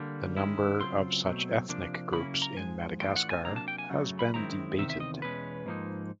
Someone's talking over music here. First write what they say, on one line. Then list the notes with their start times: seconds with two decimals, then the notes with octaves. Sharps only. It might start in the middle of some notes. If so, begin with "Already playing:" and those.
The number of such ethnic groups in Madagascar has been debated.
Already playing: D3 G3 A#3
0.36 D#3 G#3 C#4 E4
0.80 C#3 F#3 A3 C4 F4 C6
1.25 B2 F#3 A3 C4
1.69 C3 F3 A#3 D4
2.13 C#3 F#3 A#3 C#4 E4 B5
2.42 A#5
2.57 G#2 F3 G#3 G#5
3.01 A2 E3 A3 D4 F4 G5
3.16 F#5
3.30 G#5
3.45 C3 D#3 F#3 A#3 D4 A#5
3.56 A5
3.68 G5
3.78 G#5
3.89 F#2 C#3 F#3 A3
4.19 B5
4.34 F#2 D#3 G#3 C4 E4 A#5
4.78 E2 C3 D#3 E5
4.90 E5
5.00 D#5
5.22 E2 B2 G#3 C#4 B4
5.66 G#2 F3 A#3 D#4